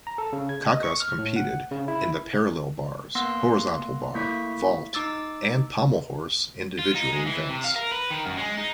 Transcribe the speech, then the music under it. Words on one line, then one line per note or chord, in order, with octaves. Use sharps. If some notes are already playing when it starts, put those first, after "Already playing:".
Kakas competed in the parallel bars, horizontal bar, vault, and pommel horse individual events.
A#5
A4
C#3
G#6
D#5
C#6
F6
A2
F#5
C#3
E4
A#3 B3 F#5 C6 E6 A#6
A3 A#3 E4 C#6 B6
D#4 D6 E6 A6
F4
D#4
G#3
E3
C3
F5
A#4
B4
D#3
F#2
G#3
D#4